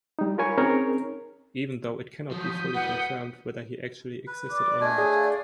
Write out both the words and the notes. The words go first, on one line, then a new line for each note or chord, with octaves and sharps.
Even though it cannot be fully confirmed whether he actually existed or not.
G3 D#4
F4 A#4 C#5 G#5 B5 C#6
C4 C#4 D#4 G#4 A#4 C#5
F3 F#3 D#6 G6 B6
E4 F#4 B4 F#5
B4
D5 D6
A3 D4 D5 D#5 G#5
G#4 C#5
D5 F5